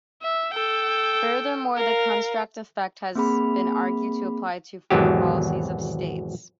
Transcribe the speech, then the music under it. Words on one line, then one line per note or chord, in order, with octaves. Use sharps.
Furthermore, the contrast effect has been argued to apply to foreign policies of states.
E5
A4 G5
A#4 F5
A#3 C4 G#4 B5
G#1 E2 B2 F#3 G4